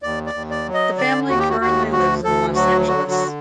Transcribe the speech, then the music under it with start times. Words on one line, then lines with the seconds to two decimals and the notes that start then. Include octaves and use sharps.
The family currently lives in Los Angeles.
0.03 D#2 D5
0.26 D5
0.34 D#2
0.50 D5
0.66 F#3
0.74 D#5
0.98 D3 D5
1.29 D#2 F#4
1.39 G4
1.49 F#4
1.61 D#2 F#4
1.92 D2 F#4
2.24 D2 A4
2.55 F#3 F#4
2.87 D3 F#4
3.11 F#4